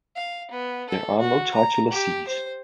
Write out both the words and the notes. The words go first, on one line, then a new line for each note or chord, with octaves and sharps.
There are no titular sees.
F5
B3
A4
F#4
A#5
G4
C5